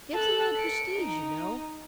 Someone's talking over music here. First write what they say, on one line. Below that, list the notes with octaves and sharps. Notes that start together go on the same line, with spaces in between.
'Gives a man prestige, you know.
A4 F#6
C#7 D7
D#4